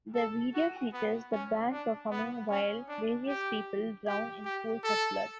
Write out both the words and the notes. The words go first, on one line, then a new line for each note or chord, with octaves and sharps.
The video features the band performing while various people drown in pools of blood.
A4
F#4
B3
C#4
D4
B3
C#4
D4
G4
G4
G4
A4